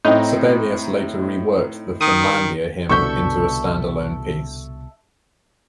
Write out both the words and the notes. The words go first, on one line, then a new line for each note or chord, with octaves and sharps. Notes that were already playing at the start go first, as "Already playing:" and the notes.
Sibelius later reworked the "Finlandia Hymn" into a stand-alone piece.
A2 C4 D#4
D#3 D#6
C2 B2 D3 A4 E5 C#6 G6